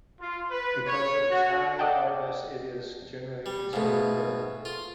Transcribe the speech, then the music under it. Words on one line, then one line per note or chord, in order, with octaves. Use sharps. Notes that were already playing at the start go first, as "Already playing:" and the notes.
Because of its high hardness, it is generally considered brittle.
F4
B4
C#5
F#4
A4 D5 D#5 F#5 G5 A5
G3
G#2 B2 A3 F5
F4